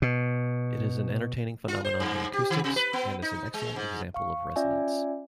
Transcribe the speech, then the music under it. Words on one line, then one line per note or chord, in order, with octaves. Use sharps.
It is an entertaining phenomenon in acoustics and is an excellent example of resonance.
B2
F4
C5
G2
G4
D#3
C3
B4
B3
D#4
G#3
G#2
F5 C#6
C#4 F4 D5 E5 G#5